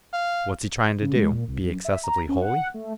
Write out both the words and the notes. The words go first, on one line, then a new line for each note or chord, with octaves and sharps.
"What's he trying to do--be excessively holy?"
F5
C#3
G#3
A#2
C2
F#2
E5
A#5
C#4
F#5
A3